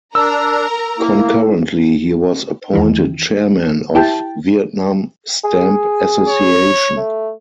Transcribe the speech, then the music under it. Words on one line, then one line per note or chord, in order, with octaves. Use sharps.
Concurrently he was appointed Chairman of Vietnam Stamp Association.
D4 A#4 A#5 E6
A#3 E4
E2 D#3 E3
E4 G4 G5 A5
G#4
C#5
A3